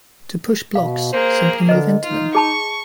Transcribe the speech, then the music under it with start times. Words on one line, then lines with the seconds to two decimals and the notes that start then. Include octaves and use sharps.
To push blocks, simply move into them.
0.75 B2 F5
1.13 A#3 G#4 C5
1.69 D3 B4 D#5
2.03 D#4 F4
2.35 G#4 A5 B5 C#6